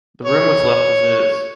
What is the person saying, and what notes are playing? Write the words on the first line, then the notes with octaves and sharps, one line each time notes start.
The room was left as is.
C#5